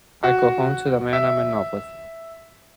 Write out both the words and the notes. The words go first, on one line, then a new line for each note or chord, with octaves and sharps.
I go home to the man I'm in love with.
F#4
E5